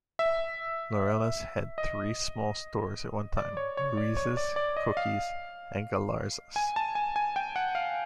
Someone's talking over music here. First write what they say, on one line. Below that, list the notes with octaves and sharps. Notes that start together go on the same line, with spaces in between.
Laureles had three small stores at one time, Ruiz's, Cookies, and Galarza's.
E5
D#5
D5
C#5
C#5
D5
C#5
D5
D5
D#5
F5
G#5
A5
G#5
G#5
G5
F#5
F5